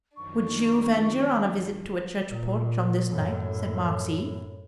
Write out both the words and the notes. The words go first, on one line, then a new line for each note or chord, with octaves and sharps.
"Would you venture on a visit to a church porch on this night--St. Mark's eve?"
F#2 D#3 F3 D4 C#6
A#2
F#2 A2